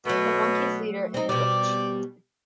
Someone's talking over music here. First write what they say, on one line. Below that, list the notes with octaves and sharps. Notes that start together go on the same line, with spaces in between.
The Monkey's leader and the Witch.
B2 F#3 A3
C4 D#4
B2 G3 G4 D5